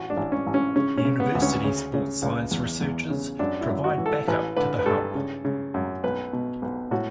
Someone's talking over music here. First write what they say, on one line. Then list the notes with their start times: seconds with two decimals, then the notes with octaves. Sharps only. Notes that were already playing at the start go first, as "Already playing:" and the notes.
University sports science researchers provide back-up to the hub.
Already playing: A1 F#4
0.10 D4
0.17 A1
0.32 C#4
0.46 A1
0.54 C#4
0.76 C#3 C#4
0.97 C#4
1.05 C#3
1.20 B3
1.35 D2
1.42 C#4
1.64 C#3
1.94 C#3
2.22 C#2
2.51 E2
2.81 E2
3.10 C#3
3.39 F#2 D4
3.61 E4
3.68 F#2
3.84 F#4
3.98 E3
4.06 A4
4.28 A1 B4
4.56 D3 B4
4.79 B4
4.86 G2 A4
5.15 C#3
5.45 C#3
5.74 F#2
6.04 B1 B4
6.33 B2
6.62 B1
6.91 A2 F#4